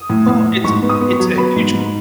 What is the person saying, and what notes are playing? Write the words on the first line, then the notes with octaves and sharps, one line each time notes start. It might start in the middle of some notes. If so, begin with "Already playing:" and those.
Well, it's i it's a huge
Already playing: D#6
A2
A2
A2
G#2 C#6
B3
D#6
B3
C#6
F#3
B3 B5
G#2
G#2